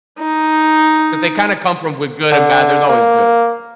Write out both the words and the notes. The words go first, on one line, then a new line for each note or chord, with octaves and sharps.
'Cause they kinda come from w good and bad. There's always good.
D#4
D3
A#3